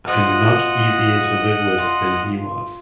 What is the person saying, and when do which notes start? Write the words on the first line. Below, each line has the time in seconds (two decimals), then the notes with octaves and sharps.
I'm not easier to live with than he was.
0.07 F3 F4 F#4 D#5 F#5
1.78 F4